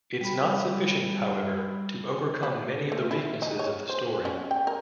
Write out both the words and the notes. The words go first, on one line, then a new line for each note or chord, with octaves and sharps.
It's not sufficient, however, to overcome many of the weaknesses of the story.
G3 B5
B4
A3
E4
D#4
C#5
C5
C#4
G5
A#4